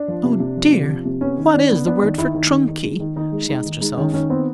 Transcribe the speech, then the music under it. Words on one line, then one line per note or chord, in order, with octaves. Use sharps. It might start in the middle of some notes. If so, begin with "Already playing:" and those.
"Oh dear! what is the word for trunk-key?" she asked herself.
Already playing: D4
F3
C3
C3
F3
C3
F3
C3
B3 C#4
D#3
D#3 D4
B3
B3 D4
D#3
D#3 E4
D#3
D#3
D#3
G#3
D#3
D#3 D#4
G#3
G#3 D#4
D#3
G#3 D#4
D#3 C#4
D#3 C#4
B3 C4